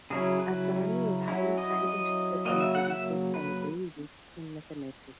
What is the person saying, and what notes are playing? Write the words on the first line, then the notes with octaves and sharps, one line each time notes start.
Asrani was highly uninterested in business and very weak in mathematics.
C#3 F#3 C#4 E4 G#4
B4
F#3 C#4 E4
D#5
D#5
C#3 F#3 A#3 D#5
E5
F#5
F#5
E5
B4